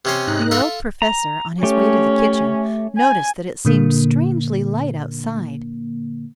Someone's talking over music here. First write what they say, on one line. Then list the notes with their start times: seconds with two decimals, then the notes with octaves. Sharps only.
The old professor, on his way to the kitchen, noticed that it seemed strangely light outside.
0.05 C3 C#4 C5
0.27 G#2 D#4 F#6
0.51 F4 A4 E5
1.02 A#5
1.63 A3 C#4 G4
2.97 G#5
3.65 A#2 D3 A#3